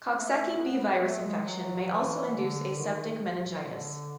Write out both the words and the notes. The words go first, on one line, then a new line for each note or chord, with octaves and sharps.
Coxsackie B virus infection may also induce aseptic meningitis.
A3
B3
B3
A3
G#3
F#3
E3
D3
D#3
D3